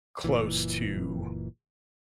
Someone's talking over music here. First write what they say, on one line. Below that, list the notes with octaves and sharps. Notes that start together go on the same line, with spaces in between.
close to,
F#1 C2 A#2 E3